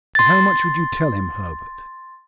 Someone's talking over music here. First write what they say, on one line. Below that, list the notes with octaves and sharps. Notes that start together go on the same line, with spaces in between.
"But how much would you tell him, Herbert?"
C6 A6